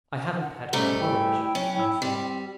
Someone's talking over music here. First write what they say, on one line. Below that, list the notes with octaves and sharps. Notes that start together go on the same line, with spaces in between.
"I haven't had my porridge," I said.
F#5
G#2 G3 A3 C#4 A#5
E4 G5
F#3 C#4
E4
G3 C4